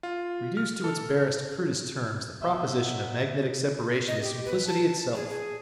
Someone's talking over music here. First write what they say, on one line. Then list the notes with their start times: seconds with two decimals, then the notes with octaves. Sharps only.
Reduced to its barest, crudest terms, the proposition of magnetic separation is simplicity itself.
0.03 F4
0.57 F6
0.84 A4
2.41 B2 F#3 D#5 E5
4.08 D#5
4.23 G4
4.45 B4
4.67 A5
5.15 G#4
5.30 G#4